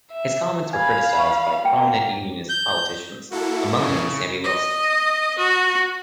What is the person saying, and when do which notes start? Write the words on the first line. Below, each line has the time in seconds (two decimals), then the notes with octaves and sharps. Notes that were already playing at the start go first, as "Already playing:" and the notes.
His comments were criticised by prominent Unionist politicians, among them Sammy Wilson.
0.11 E5
0.73 F5 G#5 B5 G#6
1.19 C#6
1.64 A#3 F#5 G5 C#7
2.49 G6
3.31 A#3 E4 F#4 A4
3.80 A#2 C#3
4.44 D#5
5.38 F#4